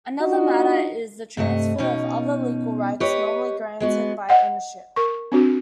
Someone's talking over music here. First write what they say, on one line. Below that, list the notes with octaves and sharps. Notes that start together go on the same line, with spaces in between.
Another matter is the transfer of other legal rights normally granted by ownership.
D4 D#4 F4 F#4 D#5
G2 C3 A3 D#5
B2 C#4 D#4
G4 B4 C#5 D#5
G#3 B3 F#4
D#5 F#5 G5
A#4 C#6
C4 D4 F#4